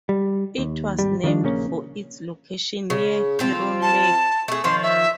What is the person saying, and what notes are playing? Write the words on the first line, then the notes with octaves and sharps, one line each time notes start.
It was named for its location near Heron Lake.
G3
D#2
G#1 G3
D#3 F3 C4 D4
A#1 C#3 A#3 C#4
C#3
F3 C4 F4
A5
A3 G#4
D#3 F3 C#5 C6
E5